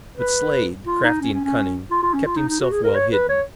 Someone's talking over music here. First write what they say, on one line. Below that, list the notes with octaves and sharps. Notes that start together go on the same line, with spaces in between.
But Slade, crafty and cunning, kept himself well hidden.
B4
F4
D#4
C#4
C#4
C#4
F4
F4
C#4
F4
D#4
D#4
F#4
G#4
A#4
C#5
B4
C#5